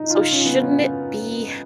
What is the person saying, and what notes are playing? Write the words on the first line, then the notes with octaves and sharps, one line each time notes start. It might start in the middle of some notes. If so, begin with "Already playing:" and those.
So shouldn't it be
Already playing: D#4
F4
C#4
B3
C#4